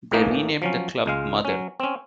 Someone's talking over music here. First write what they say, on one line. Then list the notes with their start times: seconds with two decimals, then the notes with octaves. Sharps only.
They renamed the club Mother.
0.12 A1 A2 E3 A3 A#3 D#4
0.62 F3 F#3 C#4
1.06 C#2 G#3 F5
1.45 F#3 C#4
1.80 C4 C#4